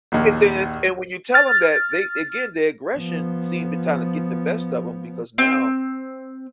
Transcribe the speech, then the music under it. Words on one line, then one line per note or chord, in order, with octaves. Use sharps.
And then it's and when you tell 'em that, they again, their aggression seem the time the get the best of 'em because now,
A#1 D#2
F6 A6
F3 B3
C4